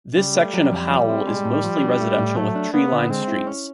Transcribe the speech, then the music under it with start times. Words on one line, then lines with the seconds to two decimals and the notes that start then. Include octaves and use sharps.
This section of Howell is mostly residential with tree-lined streets.
0.17 C#3 G3
0.35 A3
0.54 F#3
0.71 F2
0.90 F3
1.09 C4
1.27 G#3
1.45 A2
1.64 F3
1.82 D4
2.01 A3
2.19 A2
2.37 F#3 A3
2.55 D4
2.73 A#3 B3
2.92 D3
3.10 G#3 C4
3.28 E4
3.47 C#4